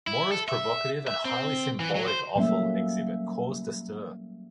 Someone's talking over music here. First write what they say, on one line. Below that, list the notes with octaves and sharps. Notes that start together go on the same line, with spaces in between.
Mora's provocative and highly symbolic offal exhibit caused a stir.
E4
A4
E5
E5
C4
E3
F#3
C5
F#3 G3 A3 A#3 C#4 E5